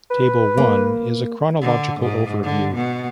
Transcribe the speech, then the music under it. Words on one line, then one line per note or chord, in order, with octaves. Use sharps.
Table I is a chronological overview.
B4
A#3
D3
G#2
D3
B2